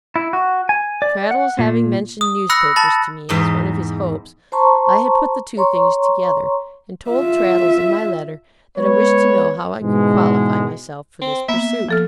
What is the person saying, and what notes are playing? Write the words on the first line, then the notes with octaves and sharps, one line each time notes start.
Traddles having mentioned newspapers to me, as one of his hopes, I had put the two things together, and told Traddles in my letter that I wished to know how I could qualify myself for this pursuit.
E4
F#4
G#5
D5
F#5
A#2
D#6
B5 E6 F#6 A#6 C#7
A5 B5 A6
E2 G#2 D#5
C5 A5 A#5 C6 C#6
C#5 A#5 C6 C#6
F4 E5
G#3 B3 B4 C#5
G#2 B2 E3 G#3
C4
A#3 B3 E5
F3 A4 F6